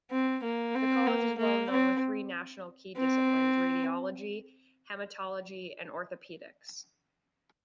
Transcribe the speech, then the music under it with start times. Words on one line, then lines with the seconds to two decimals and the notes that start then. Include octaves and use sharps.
The college is well known with three national key disciplines: radiology, haematology and orthopaedics.
0.10 C4
0.43 A#3
0.75 C4
1.07 A#3
1.38 A#3
1.70 C4
2.98 C4